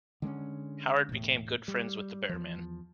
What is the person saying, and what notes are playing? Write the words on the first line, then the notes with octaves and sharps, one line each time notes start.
Howard became good friends with Behrman.
D3 G#3 B3 C#4
E1 A2
G3
E2 F3